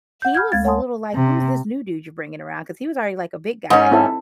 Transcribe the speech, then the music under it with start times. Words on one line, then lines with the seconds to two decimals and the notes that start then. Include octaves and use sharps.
he was a little, like, "Who's this new dude you're bringing around?" 'Cause he was already, like, a big guy.
0.22 F#5 G6
0.35 B5 F6 G6 G#6
0.52 D2 G#3 F5 G#6 A6
0.65 C#5 F#5 G#5 A5 C6 D#6
1.15 C3
3.70 G#2 C#4 D#4
3.91 C4 E4 A4